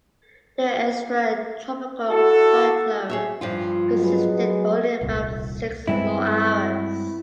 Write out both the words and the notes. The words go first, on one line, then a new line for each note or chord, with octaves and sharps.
The extratropical cyclone persisted for only about six more hours.
E4 F#4 A4
G#4 C#5 E5
G2 F3 F4
F#3 G#3 B3
D#1 C2
G2 G3 G#3 B3 C4 E4